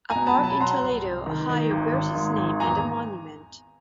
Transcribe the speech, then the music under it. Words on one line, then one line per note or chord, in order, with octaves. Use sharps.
A park in Toledo, Ohio, bears his name and a monument.
G#5 A#5
B2
A5 B5
F#3
A5 B5
F#3 A#5 C6
C2
C2
D#3
D#3
G#1
G#1
G#2
G#1
E2 G#5 A#5